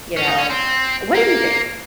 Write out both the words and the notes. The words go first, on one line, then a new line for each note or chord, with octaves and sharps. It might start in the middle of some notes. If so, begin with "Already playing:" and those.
You know? What do you think?
C#4
D#4
C#4
C4
A#3